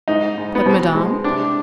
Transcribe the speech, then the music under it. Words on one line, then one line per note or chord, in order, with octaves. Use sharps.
"But Madame?"
G#2 D#4
G#2
B3
B2 C4
G#3
C3 D4